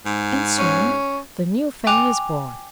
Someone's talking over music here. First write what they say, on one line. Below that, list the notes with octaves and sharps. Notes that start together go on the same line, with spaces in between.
And soon the new family is born.
G#2
C#4
G5 G#5 D6 F#6 F7